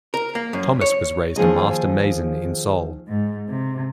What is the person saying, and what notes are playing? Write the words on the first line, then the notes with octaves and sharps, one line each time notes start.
Thomas was raised a Master Mason in Sol.
A#4
A#3
F#2
C#5
D#2 F3 G#4 D#5
G#2
C3